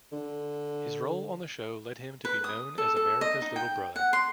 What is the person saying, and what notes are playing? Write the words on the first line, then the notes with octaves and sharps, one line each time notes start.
His role on the show led him to be known as America's little brother.
D3
B4
D#6
A4
A4
D#5
D#4
G5
F#5
C6